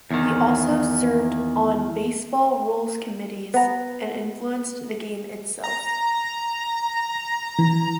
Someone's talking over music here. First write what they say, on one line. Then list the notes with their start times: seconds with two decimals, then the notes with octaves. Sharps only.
He also served on baseball rules committees and influenced the game itself.
0.11 E2 D#3
3.54 B3 A#5
5.64 A#5
7.59 E3